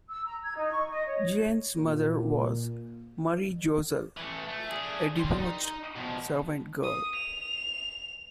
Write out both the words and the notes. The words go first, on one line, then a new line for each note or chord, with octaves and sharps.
Jeanne's mother was Marie Jossel, a debauched servant girl.
E6
A#5
G#6
D#4
C#6
D#5
C#5
A#2
E3 A3
A3
D4 G#4
G3 C6
D#4
B2 F3
D#6
F7